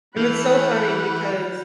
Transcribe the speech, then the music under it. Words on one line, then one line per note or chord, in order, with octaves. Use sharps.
And it's so funny because
E3 A3 F#5 B5 F6 G6 F7